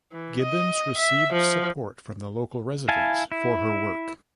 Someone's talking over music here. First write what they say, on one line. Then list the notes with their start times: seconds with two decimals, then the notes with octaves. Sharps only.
Gibbons received support from the local residents for her work.
0.12 E3
0.41 D#5
0.98 E5
1.33 F3
2.88 E4 F5 G#5 A5
3.32 E4